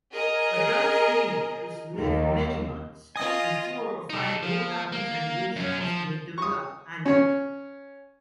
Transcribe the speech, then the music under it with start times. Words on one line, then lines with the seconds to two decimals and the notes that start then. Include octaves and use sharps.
Adult females live many months, and four or five overlapping generations may develop annually.
0.13 G#4 A#4 D#5
1.97 D#2
3.16 F4 D#5 G#5 D#6
4.10 D#4 A4
4.43 F3
4.92 A#3
5.56 F#2 C#4
5.80 F3
6.38 C#6 D#6
7.06 C#4 C#5